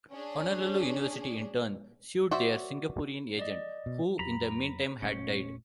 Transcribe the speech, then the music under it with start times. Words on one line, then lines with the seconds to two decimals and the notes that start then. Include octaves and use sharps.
Honolulu University in turn sued their Singaporean agent, who in the meantime had died.
0.11 C#4 D4 G#4
2.31 F#4 C5 D5 E5
3.39 D5 D#5
3.86 B2
4.19 F2 F#3 A#5 B5
5.02 F1 A#2 A3 C#4